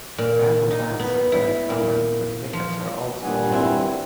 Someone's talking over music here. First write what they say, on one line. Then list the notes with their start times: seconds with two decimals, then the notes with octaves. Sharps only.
Panel vans are very common, but pickups are also available.
0.18 A#2
0.71 D#4
1.00 B3
1.32 E4
1.70 A#2
2.53 F3
3.23 G2 A#2 F#5 G#5
3.52 C4 E4